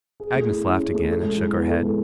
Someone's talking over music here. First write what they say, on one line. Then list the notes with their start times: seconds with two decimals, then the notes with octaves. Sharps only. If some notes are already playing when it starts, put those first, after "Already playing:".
Agnes laughed again, and shook her head.
0.20 G#4
0.35 A3
0.50 E4
0.65 C#4
0.79 G#4
0.93 A3
1.09 A4
1.23 G#3
1.38 E4
1.53 B3
1.68 A4
1.82 G#3